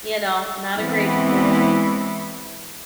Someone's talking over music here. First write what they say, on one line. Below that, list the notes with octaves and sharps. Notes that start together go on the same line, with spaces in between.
you know, not a great school."
E3 G#3 B3 C4 E4